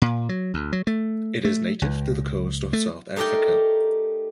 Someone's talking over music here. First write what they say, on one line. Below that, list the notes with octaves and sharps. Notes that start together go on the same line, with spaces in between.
It is native to the coast of South Africa.
A#2
F#3
D2
F#3
A3
A3
C#2
A3
A3 D#4 G4 A#4 D5 G5